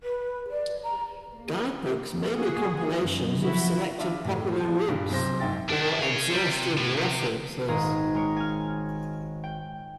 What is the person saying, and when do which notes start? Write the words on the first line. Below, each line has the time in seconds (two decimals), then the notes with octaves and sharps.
Guidebooks may be compilations of selected popular routes, or exhaustive references.
0.03 B4
0.51 D5
0.83 A#5
1.34 A#3
2.34 A#3 F#4 G#4
3.02 F#2
3.42 F3 E4 F#4
3.98 D4 F4 E5
4.25 A2
4.60 F3
4.88 G2 A#2 G3
5.10 B1 C3 C5 A#6
5.40 F#1 G#2 E5 G5 A6
5.69 D4 E4
6.00 G#4 C#5
6.33 G3
6.49 C3
6.78 A2
6.98 C3
7.68 G#1 A#2 D#3 G#4 A#5
8.15 G#3 A#4 C#5
8.36 G#5 F6
9.44 G5